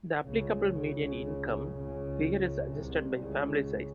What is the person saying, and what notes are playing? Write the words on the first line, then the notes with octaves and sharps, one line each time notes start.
The applicable median income figure is adjusted by family size.
C#2 C#3
C#2 C#3
C#2 C#3
C2 C3
C#2 C#3